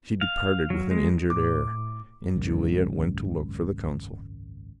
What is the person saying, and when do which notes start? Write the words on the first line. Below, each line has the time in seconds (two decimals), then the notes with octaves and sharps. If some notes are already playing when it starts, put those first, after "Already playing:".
She departed with an injured air, and Juliet went to look for the consul.
0.21 F5
0.70 F#3
0.91 G#3
1.30 A2 D6
2.36 G#1 C#2 F#2